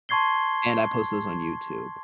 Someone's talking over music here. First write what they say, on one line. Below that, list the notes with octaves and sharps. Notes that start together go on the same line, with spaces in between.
and I post those on YouTube,
A5 C6 C#6 G#6 C7 G7